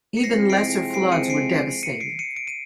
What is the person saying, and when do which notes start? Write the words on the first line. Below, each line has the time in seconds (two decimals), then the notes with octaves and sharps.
Even lesser floods were devastating.
0.17 C#7
0.23 C3 F3 G#3 C4 E4 A#6 C7
0.50 C7 D7
0.94 C7 D7
1.12 C#7 D#7
1.30 C7 D7
1.83 C#7 D#7
2.00 C7 D7
2.19 C#7 D#7
2.36 D7
2.47 D#7